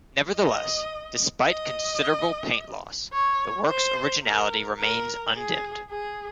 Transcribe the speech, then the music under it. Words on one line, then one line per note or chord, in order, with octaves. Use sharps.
Nevertheless, despite considerable paint loss, the work's originality remains undimmed.
D#5
D#5
C#5
C5
A#4
A#4
G#4
G#4